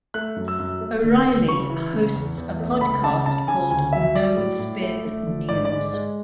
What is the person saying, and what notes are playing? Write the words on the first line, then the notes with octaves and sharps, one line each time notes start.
O'Reilly hosts a podcast called "No Spin News".
A3 F#6
F#2
E6
F#2
A3
D3
D2
C#3 C#6
E3
C#3
E2
E2
A3
C#2 B5
C#3 A5
C#3 A5
C#3 G#5
D2 G#5
F#3 E5
F#3 D5
A2
A2
A3
A3
D3
G#2 D5
D5
G#3
G#3